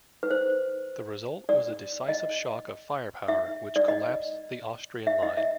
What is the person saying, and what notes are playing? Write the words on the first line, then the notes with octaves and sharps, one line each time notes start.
The result was a decisive shock of firepower which collapsed the Austrian line.
B4
C5
D5
D#5
E5
D5
D#5
E5
D#5
E5